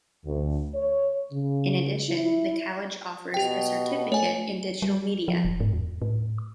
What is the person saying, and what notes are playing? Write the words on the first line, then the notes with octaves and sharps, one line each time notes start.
In addition, the college offers a Certificate in Digital Media.
D2
C#5
C#3
E4
B2 G4 G5
A3 C#5 G#5
G3
F3
F1
G#2
E2
A2